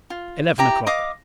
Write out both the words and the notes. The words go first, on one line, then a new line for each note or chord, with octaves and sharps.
Eleven o'Clock.
F4
E4 G4 A#5
D#5 F5 D6